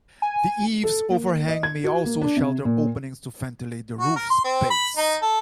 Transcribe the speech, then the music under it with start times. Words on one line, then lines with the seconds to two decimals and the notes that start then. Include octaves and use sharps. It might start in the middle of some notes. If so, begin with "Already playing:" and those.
The eaves overhang may also shelter openings to ventilate the roof space.
0.22 G#5
0.84 A4
1.10 A#3
1.48 D#5
1.63 G#6
1.84 F#4
2.06 A#3
2.21 D4
2.37 C3
2.65 A#2
4.00 F#4
4.16 A#4
4.30 C6
4.44 C4
4.70 B5
4.97 D#4
5.22 A4